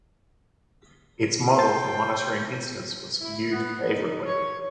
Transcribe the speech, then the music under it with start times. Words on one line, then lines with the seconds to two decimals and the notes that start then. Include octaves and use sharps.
Its model for monitoring incidents was viewed favourably.
1.59 G5 A5 C6
3.21 E4
3.51 B3
3.89 D#4
4.26 C#5